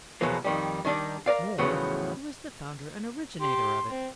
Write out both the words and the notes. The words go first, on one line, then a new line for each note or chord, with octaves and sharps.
More, he was the founder and originator of it.
E2 B2 F3 F#3 A#3
F2 D#3 G3
D#3 G3 D4 D#4
A#4 B4 D5 F5
E2 A2 C#3 F3 F#3 B3
G4 C6
C4